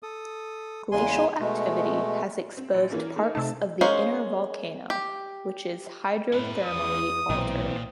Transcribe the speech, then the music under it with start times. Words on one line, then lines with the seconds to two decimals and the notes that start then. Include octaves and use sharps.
Glacial activity has exposed parts of the inner volcano, which is hydrothermally altered.
0.03 A4 D#6
0.92 E2 C#3 G#3 G#5 C6
1.40 B2 G#3 A3
2.57 C4
2.74 A#1
2.90 E3 A#3 C#4
3.16 A3 A#3 D#4
3.35 C3 A3 D#4 A5 E6
3.81 G#3 C#4 A#4 C5 F5
4.90 G4
6.32 A2 C#4 B4
6.65 E2 D#6
7.30 B1 A#2 E3 C4